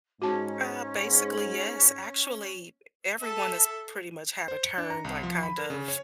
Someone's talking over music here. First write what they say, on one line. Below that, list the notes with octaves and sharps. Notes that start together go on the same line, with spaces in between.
Uh, basically, yes. Actually, everyone has pretty much had a turn, like, kind of,
G#2 C#4 F#4 A5
A4 E5
C5
C#7
D4
A#5
C2
F3
B5
A#4
C#3
C#5